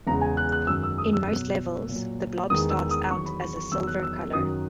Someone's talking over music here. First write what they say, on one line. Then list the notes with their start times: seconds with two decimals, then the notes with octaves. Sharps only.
In most levels, the blob starts out as a silver color.
0.07 E2 C#3 G#3 A#5
0.21 G#5
0.37 F#6
0.52 F#6
0.67 F#2 D#3 G#3 E6
0.83 E6
0.98 D#6
1.13 E6
1.28 B2 F#3
1.89 A#2 F#3
2.50 E2 D#3 G#3 D#6
2.70 E6
2.91 D#6
3.11 E2 D#3 F#3 C#6
3.26 B5
3.41 C#6
3.56 C#6
3.72 E2 D#3 F#3 E6
3.83 E6
3.87 F#6
4.03 E6
4.33 F#2 D#3 F#3 D#6